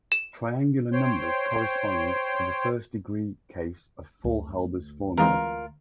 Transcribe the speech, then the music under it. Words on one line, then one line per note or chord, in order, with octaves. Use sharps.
Triangular numbers correspond to the first-degree case of Faulhaber's formula.
E7
C5 C#5 G5 C6
D2
E3 G#3 C4 F4 A#4